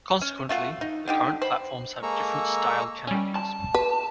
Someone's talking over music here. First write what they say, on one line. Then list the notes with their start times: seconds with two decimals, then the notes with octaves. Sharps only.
Consequently, the current platforms have different style canopies.
0.21 C#4
0.49 A3 F4 F#4
0.81 D#4
1.08 D3 D#4 G4
1.42 C5 B5
2.02 G#3 A#3 A4 A#5 C#6 E6
3.07 G3 C#4
3.36 A5
3.75 B4